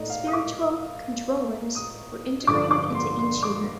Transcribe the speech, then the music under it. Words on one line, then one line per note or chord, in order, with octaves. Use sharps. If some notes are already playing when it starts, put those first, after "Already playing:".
Spiritual "controllers" were integrated into each unit.
Already playing: A2 A3 D#4 D5 D#5
F5
D#6
D6
D#6
G2 D3 F3 D6
D6
C6
C6
D6